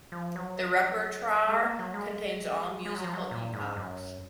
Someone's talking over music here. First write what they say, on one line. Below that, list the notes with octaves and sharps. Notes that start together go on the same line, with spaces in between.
The repertoire contains all musical epochs.
F3
F#3
G#3
A#3
F#3
G#3
G#3
F#3
F3
F#3
A#2
G#2
F#2